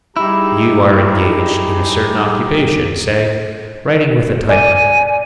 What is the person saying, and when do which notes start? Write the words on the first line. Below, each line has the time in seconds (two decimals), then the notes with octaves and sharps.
You are engaged in a certain occupation, say writing with a typewriter.
0.17 G3 D#4 E4 G4 G#4 A#5
4.49 D5 G#5